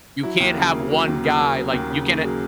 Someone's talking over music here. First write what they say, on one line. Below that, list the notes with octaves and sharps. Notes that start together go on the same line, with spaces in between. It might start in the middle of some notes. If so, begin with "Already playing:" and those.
You can't have one guy, like, you can ha
F#3 E4
D#2
C#3
A#3
F#3
D#2
C#3
A#3
F#3
D#2
C#3
A#3
F#3 G#4